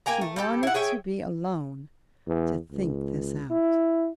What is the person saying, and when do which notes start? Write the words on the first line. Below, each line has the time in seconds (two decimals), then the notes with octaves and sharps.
She wanted to be alone to think this out.
0.06 A#3 G5 G#5 A#5
0.21 A3
0.36 G3 A3 G4 A4
0.63 E4 F#5
0.74 G#4 C#5 E5 G5
2.27 E2
2.72 C#2
3.50 E4